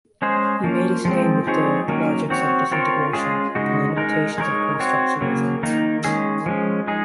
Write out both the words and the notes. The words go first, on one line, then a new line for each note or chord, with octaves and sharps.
He made his name with the "Logics of Disintegration", on the limitations of post-structuralism.
G#3 C#4 G#4 C5
F3 A#3 C#4
F3 G#3 C4
F3 C4 D#4 G#4 C#5
D#3 F#3 A#3 C#4
C4 F#4 C#5
C4 F4 A#4 C#5
G#3 C#4 F4 G#4
C#3 G#3 D#4 F#4
G#3 D#4 A#4
G#3 D#4 A#4 C#5
C4 F#4 C#5
C#3 F#3 A#3
D#3 A#3 D#4
D#3 G#3 C#4 G#4
F3 G#3 C#4
G#3 D#4 G#4